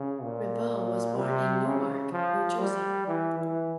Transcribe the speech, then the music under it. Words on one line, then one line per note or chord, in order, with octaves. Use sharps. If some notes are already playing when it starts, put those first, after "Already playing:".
Ribot was born in Newark, New Jersey.
Already playing: C#3
A#2
C3
C#3
F3
G3
E3
E3